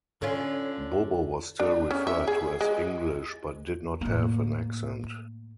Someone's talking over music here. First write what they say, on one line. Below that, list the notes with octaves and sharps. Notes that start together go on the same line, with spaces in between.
Bobo was still referred to as English but did not have an accent.
D3 C#4 F4
D4
C#4
E5
G#4
G#3
A2 A#3